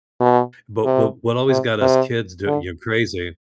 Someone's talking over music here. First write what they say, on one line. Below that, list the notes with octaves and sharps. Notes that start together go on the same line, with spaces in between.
but but what always got us kids d you crazy
B2
C3
C3
C3
D3